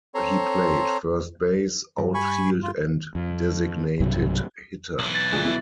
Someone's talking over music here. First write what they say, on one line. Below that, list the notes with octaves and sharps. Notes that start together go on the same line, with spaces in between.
He played first base, outfield and designated hitter.
C4 A4 C#5 A#5 C6
G2
G#5 B5 C#6
F4
F2
B1 G2 C3 F#3
B1 E3 F#7
A6
D2 F3 G#3
B2 E4